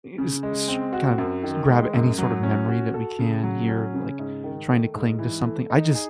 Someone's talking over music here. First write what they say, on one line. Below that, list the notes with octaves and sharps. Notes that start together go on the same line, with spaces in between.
eh s s kind of grab any sort of memory that we can hear," like, trying to cling to something. I just
C#3
G#3
C4
F#4
F#2
D#3
G#3
F#2
F#3
C#4
F#4
A4
C#3
F#3
C#4
C#3
G#2
D#3
A3
G#2
E3
A3
D#4
G#4